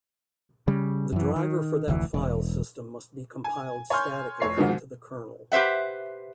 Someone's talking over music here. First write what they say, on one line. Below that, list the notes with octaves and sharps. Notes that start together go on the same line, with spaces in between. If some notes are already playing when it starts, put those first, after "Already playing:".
The driver for that file system must be compiled statically into the kernel.
C#3 G3
F#2 E3
D#3
F1 D2 G#2 E3
E1
G#5
C#5 G#5 C6 F6 G6
F1 C#5 C7
G#2 B2 D#3 F3 G#3
G4 B4 C5 E5 F#5